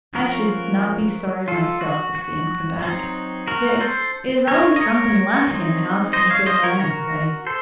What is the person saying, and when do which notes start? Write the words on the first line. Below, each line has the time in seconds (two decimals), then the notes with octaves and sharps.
'I should not be sorry myself to see him come back--there is always something lacking in a house when the good man is away.'
0.15 F3 A#3 C#4 F#4 A#4
1.48 F4 A4
1.81 F#4
2.15 F#4
2.81 F#3 C4 D#4
3.48 F#4 A#4
3.80 A4 C5
4.47 A#4 C#5
4.76 D#5
4.81 A#4 C#5
5.47 F#3 C4 D#4
6.13 C5 D#5
6.30 C#5 F5
6.46 C5 D#5
6.63 A#4 C#5
6.80 F#4 A#4
7.47 A4 C5